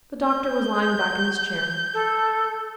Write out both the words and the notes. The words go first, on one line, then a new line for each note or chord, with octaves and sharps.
The Doctor was lying back in his chair.
G6
A4